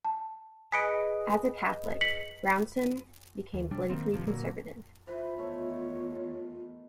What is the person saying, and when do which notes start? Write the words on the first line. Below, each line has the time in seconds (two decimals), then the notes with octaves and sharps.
As a Catholic, Brownson became politically conservative.
0.05 A5
0.72 G#4 B4 D#5 B6 C#7 D7
2.01 B6 C#7 F#7
3.54 D#2
3.71 C3 F#3 G3 D4
3.90 D#3 A#3 C4
4.12 G#1 C3 F3
4.27 A#2 D3 F#3 A#3
5.07 E3 F4 B4 C5
5.38 E2 D#3 A3 C#5